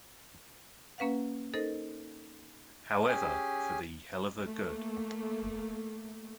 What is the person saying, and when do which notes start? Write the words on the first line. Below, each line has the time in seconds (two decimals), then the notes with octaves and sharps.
However, for the Heluva Good!
0.98 A#3 C#4 B4 F5 F#5
1.54 D#4 A4 A#4 C5 D#5
3.08 C#4 G4 G#4 G#5
4.45 A3 A#3